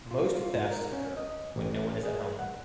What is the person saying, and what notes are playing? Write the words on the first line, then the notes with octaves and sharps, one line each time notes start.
Most thefts occur when no one is at home.
F4
F4
G#2
A#4
C#4
D#5
A1
G#4
F#5